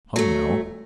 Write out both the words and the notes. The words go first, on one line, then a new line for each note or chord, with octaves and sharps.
Come, now!
F#3 A3